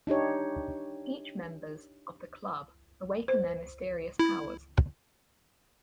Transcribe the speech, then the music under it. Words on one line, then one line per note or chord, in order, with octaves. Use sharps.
Each members of the club awaken their mysterious powers.
D4 D#4 G4 C#5
C5
E4